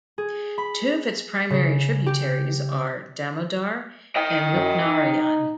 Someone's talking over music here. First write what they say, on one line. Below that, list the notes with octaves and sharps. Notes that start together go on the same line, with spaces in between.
Two of its primary tributaries are Damodar and Rupnarayan.
G#4
B5
C#3
G4
D#5 G5
F#2
D#4